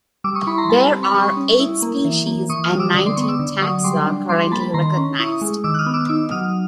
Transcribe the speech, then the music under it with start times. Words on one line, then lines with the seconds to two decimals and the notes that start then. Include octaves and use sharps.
There are eight species and nineteen taxa currently recognized.
0.24 G3 D6 E6
0.35 C#6 D#6
0.47 E4 B5 C#6
0.58 A#5 C6
0.69 G3 A5 B5
0.92 C4
1.03 B5 C#6
1.14 G3 C#6 D#6
1.37 C#4
1.60 E4
1.82 A#3
2.05 E3
2.27 A#3
2.49 E3 C#6 D#6
2.64 D#6 F6
2.72 G3
2.79 D6 E6
2.94 D3 D#6
3.06 C6 D6
3.16 B3 C#6 D#6
3.28 D6 E6
3.39 D3
3.62 F#3 C#6 D#6
3.84 G3 C6 D6
4.06 D4
4.29 G3 C6 D6
4.52 A#3 A5 B5
4.74 D#3 A#5 C6
4.97 C#4
5.19 E4 C#6 D#6
5.41 G#3
5.64 D#3 D6 E6
5.74 F#6
5.79 D#6 F6
5.86 B3
5.94 D6 E6
6.09 D#4 D6 E6
6.31 F#3 D#6 F6